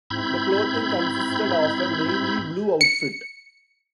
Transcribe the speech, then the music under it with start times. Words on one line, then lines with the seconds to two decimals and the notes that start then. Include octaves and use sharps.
The clothing consisted of a mainly blue outfit.
0.10 G#2 C4 E4 B5 G6 G#6
2.81 C#7